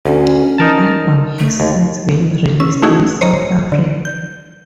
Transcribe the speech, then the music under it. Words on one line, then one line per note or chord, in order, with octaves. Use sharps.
The album has since been released in South Africa.
D2 C#4
D#4 A#4 A5
A3
D#2
C#4 E6
A3 C#4 D#4 E4 F#4 G#4
C5 C#5 D#5 A#5
D3
G6